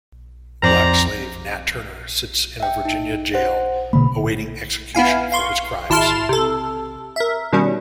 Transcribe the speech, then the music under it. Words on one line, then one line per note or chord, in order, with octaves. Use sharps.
Black slave Nat Turner sits in a Virginia jail awaiting execution for his crimes.
F2 C5 D5 A#5
E5 G5
D#4
C5 F#5
B2 D3 A#3 B5
B3 E4 F5 G#5
F5 C6 C#6
G#1 E4 A5 C6 F6 E7
C3 A4
A#4 E5
B2 D#3 G3 C#4